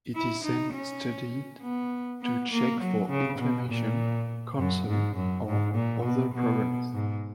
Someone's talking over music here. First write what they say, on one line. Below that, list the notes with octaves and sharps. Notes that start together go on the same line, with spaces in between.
It is then studied to check for inflammation, cancer, or other problems.
E4
D#4
C#4
B3
B3
A#3
F#3
C#3
B2
A#2
F#2
G#2
F#2
G#2
A#2
B2
B2
G#2